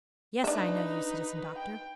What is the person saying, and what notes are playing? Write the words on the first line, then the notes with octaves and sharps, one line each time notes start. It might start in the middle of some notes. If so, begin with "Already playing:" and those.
"Yes, I know you, Citizen Doctor."
D4 D#4 B4 E5
G5